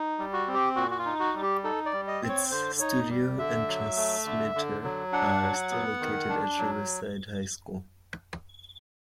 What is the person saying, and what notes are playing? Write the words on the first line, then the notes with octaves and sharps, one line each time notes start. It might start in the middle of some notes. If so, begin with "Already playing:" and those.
Its studio and transmitter are still located at Riverside High School.
Already playing: D#4
G3
F#4
C4
G4
A#2 F#4
F#4
F4
D#4
F#4
G3
G4
D#4 A4
D5
G3
D#5
C4
C#5
D3 C5
D#4 C#5
G3
D3 E5
F#3
A3
D3
D3
F#3
D4 F#5
F#3
B3
D#3
D4
F#3